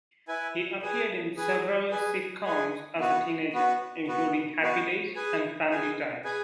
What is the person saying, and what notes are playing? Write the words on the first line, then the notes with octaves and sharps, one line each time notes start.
He appeared in several sitcoms as a teenager, including "Happy Days" and "Family Ties".
E4 B4 G#5
G#4 B4 G#5
G#4 B4 G#5
G#4 B4 G#5
G#4 B4 G#5
B3 F#4 B4
B3 F#4 B4
B3 F#4 B4
B3 F#4 B4
G#4 B4 G#5
G#4 B4 G#5
G#4 B4 G#5